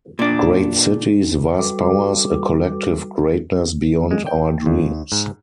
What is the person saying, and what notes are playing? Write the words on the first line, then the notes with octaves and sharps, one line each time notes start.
Great cities, vast powers, a collective greatness beyond our dreams.
A#2 D4
G3 F#4 A4 B4 D6
G#3
G5
D#2
G#2